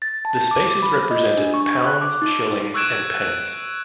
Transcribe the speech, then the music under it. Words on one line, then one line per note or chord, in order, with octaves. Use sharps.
The spaces represented pounds, shillings and pence.
A6
A5
D6
B5
D#5
D4
C#6
F#6
D6
D#4
C#6 E6 F#6 G#6 D7 E7